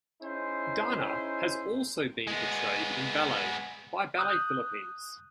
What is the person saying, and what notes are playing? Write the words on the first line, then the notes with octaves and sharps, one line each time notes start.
Darna has also been portrayed in ballet by Ballet Philippines.
C#4 D#4 E4 G#4 C5
G#3 B3
D#6 F#6 G6